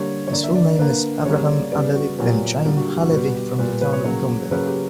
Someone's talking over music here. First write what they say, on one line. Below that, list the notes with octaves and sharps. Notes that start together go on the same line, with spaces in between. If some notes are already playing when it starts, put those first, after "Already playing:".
His full name is Avraham Abele ben Chaim HaLevi from the town of Gombin.
Already playing: D3 G3 A#3 C#5
C#5
D3 A#3 D5
E5
D5
D3 A#3 B4
C#3 G3 A#3 C#5
D5
C#3 G3 B3 D5
F#4
A#2 F#3 B3 G4
D3 G3 A#3 G4
F#4
G4
F#4
B2 G3 B3 F#4
G4
A#2 G3 B3 B4
B4
C#5
C#3 F#3 A#3 C#5
C#3 F#3 A#3 B4
G4